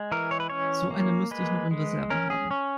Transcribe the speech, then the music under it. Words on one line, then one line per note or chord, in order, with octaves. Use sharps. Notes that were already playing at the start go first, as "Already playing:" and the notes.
So eine müsste ich noch in Reserve haben.
Already playing: G#3
E3 A#4
C#5
B4
C#4 C#5
A#3
G#3 B4
G#3
C#4 A#4
G#4
C#4